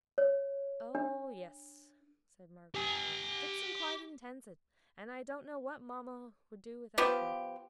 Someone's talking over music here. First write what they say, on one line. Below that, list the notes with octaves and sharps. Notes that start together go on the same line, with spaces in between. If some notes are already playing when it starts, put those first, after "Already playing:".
'Oh, yes!' said Margaret. 'Dixon quite intends it, and I don't know what mamma would do without her.'
C#5
D4
G4 G#5
F3 B3 F4 G4